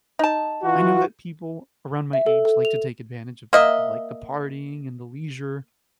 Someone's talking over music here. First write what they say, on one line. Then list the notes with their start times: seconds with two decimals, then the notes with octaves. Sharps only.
I know that people around my age like to take advantage of that, like the partying and the leisure,
0.19 D#4 A5
0.62 E3 F4 F#4
2.13 E5
2.26 A4
2.45 A4
2.65 F7
3.53 A#3 D#5 E5